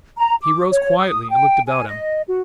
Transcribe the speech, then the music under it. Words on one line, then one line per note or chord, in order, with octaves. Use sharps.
He rose quietly and looked about him.
A#5
D6
C#5
D#6
G5
G#5
D#5
F#4